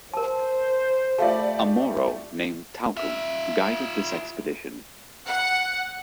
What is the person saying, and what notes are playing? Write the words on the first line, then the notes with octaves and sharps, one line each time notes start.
A Moro named Talcum guided this expedition.
A#4 C5 A5
A3 F4 G4 D5 F5 A5
F4 E5
F#5